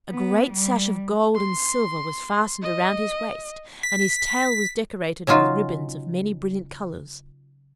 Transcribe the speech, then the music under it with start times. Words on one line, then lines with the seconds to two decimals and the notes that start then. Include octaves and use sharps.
A great sash of gold and silver was fastened around his waist and his tail was decorated with ribbons of many brilliant colors.
0.11 B3
0.53 G3
1.36 C6
2.62 D#5
3.83 B6
5.27 C#3 F#3 D#4 F4